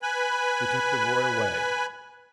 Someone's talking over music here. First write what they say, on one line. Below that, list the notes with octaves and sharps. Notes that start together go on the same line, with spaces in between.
We took the boy away.
B4 G#5 B5